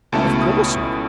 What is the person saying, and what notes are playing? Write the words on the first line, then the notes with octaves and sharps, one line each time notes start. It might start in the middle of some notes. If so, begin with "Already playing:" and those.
'Of course not.
C#2 B2 A3 C#4 E4 A5
D#6